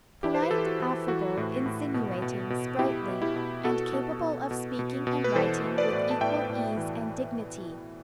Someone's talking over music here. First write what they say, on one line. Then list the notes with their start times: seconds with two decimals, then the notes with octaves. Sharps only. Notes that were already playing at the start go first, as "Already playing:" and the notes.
Polite, affable, insinuating, sprightly, and capable of speaking and writing with equal ease and dignity.
0.23 E3 E4 G4
0.34 C5
0.42 B4
0.51 E3 A4
0.58 G4
0.66 F#4
0.80 E3
1.08 E3 F#4
1.37 A2
1.66 A2
1.94 B2
2.22 B2
2.50 B2
2.79 B2 E4 G4
3.08 B2
3.22 E4 G4
3.36 B2
3.65 B2 F#4 A4
3.93 B2
4.21 B2
4.51 B2
4.79 B2
5.07 B2
5.24 B4
5.35 E3 A4 C5
5.64 E3
5.78 B4 D5
5.93 A2
6.11 A5
6.21 A2 E5 G5
6.50 A2
6.77 E3